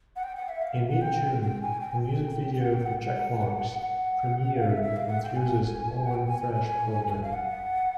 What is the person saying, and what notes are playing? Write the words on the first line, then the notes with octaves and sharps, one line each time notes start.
In mid-June, a music video for "Checkmarks" premiered on Fuse's "Oven Fresh" programme.
F#5
G5
F#5
E5
F5
F#5
F#5
G5
G5
G#5
G5
G#5
G5
F#5
G5
F#5
F#5
F#5
F5
E5
E5
F5
F#5
G5
G#5
F#5
G5
G#5
G#5
G#5
F5
F#5